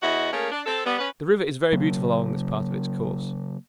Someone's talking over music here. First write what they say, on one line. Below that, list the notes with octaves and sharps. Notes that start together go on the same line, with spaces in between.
The river is very beautiful along this part of its course.
E2 E4 F#4 D#5
A3 A#3 C#4 G#4 A#4
D4
C4 A4
G3 B3
C#4 B4
C#3 F#3 A#3